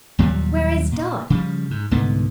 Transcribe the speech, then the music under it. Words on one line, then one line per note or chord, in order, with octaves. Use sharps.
"Where is Dot?"
D#2 A#2 F#3 G3
A#2
C#3 F3 G3
G#2
C2 G#2 D3 B3